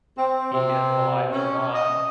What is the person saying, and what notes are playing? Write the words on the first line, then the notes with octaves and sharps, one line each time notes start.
be it alive or not,
C4
C3
C#4
D#5